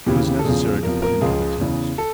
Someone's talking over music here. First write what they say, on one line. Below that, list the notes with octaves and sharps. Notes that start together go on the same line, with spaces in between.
It was necessary to put him to the test.
D#2 C#3 E3 G4
A4
E2 C#3 F3 G#4
E2 C3 F3 A#4
A#4
C#2 C#3 F3 G#4
E2 C#3 E3
A4